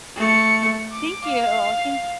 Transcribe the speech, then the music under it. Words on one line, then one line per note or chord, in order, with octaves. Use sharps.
Thank you. Thank
A3 C#7
D6
F5